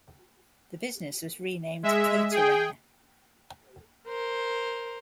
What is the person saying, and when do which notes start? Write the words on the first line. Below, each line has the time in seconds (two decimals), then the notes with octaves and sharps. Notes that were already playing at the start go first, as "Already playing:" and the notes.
The business was renamed Caterair.
1.83 G#3 E5
2.31 G#4 G5
4.07 A#4 C5